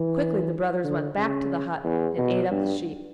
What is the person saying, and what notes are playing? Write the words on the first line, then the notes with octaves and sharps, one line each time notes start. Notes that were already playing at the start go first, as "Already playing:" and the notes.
Quickly the brothers went back to the hut and ate up the sheep.
Already playing: E3
D3
C#3
E2
B2
G2